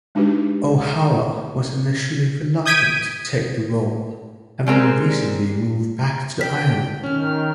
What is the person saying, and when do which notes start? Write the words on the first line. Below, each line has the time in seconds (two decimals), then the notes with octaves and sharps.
O'Hara was initially reluctant to take the role, having recently moved back to Ireland.
0.15 G#3 D4 D#4 F#4 G4 B4
2.66 D#6 G6 G#6 B6 D7 D#7
4.66 G3 G#3 C4 A#4
6.41 G5 B6
7.04 D#3 C#4 F6